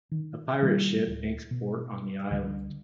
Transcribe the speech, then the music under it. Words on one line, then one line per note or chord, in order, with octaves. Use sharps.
A pirate ship makes port on the island.
D#3
B2 D#3 G3 A#3
D1 F#3
B2
C#2 D3 G3